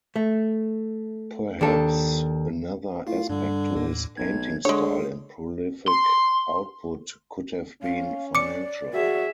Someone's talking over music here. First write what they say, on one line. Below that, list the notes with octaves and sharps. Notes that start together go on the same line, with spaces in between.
Perhaps another aspect to his painting style and prolific output could have been financial.
A3
D#2 D4 A4
A2 F4 F5
G2 D3 G3
D#2 A2
B1 G#6
D3 G#3 G#4 C#5
C6
C#4 F5
D5 D6 C#7
F#4 G#4 E5